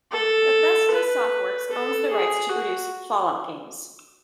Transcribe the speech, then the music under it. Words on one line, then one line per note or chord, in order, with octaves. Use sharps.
Bethesda Softworks owns the rights to produce "Fallout" games.
A4
B4
A4
G#4
F#4